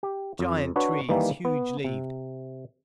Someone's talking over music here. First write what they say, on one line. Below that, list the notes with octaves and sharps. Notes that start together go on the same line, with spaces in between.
Giant trees, huge-leaved.
G4
F2
D4 F#4 B4 C#5
D#3 E3 G3 A#3
B3
C3